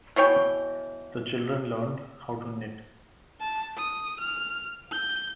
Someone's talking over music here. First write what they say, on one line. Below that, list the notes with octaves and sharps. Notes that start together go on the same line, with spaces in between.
The children learned how to knit.
B2 E3 C#5 G5
A5
D#6
F6
G6